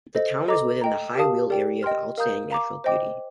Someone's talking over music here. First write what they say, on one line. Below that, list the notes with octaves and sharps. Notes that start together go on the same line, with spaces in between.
The town is within the High Weald Area of Outstanding Natural Beauty.
A4 C5 D#5
A4 D#5 A#5 D6
D#5 G5 A#5
G4 A#4 F5 A5 D#6
G4 A#4 D5 G5
D#5 G5 C6 F6
A#4 F5 A#5 D#6 G6
F5 A#5 D6
C5 D#5 G5 D6